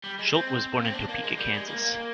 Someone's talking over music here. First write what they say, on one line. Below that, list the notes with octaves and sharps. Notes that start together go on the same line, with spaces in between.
Schuldt was born in Topeka, Kansas.
G3
G#3
C4
A#3
C4
D4
A#3
G#3
G3
G#3
A#3